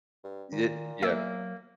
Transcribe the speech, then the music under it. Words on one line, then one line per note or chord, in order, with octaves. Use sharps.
Ye yeah.
G2
A#2 D#3
F#3 A#3 E5